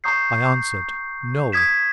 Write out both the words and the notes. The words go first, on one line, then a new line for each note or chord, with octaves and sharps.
I answered, No.
A#5 C#6 D#6 G6 C7
D#6 G#6 B6 E7